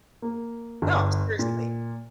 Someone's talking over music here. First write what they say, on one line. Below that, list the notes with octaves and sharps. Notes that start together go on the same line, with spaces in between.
No, seriously,
A#3
G1
A#2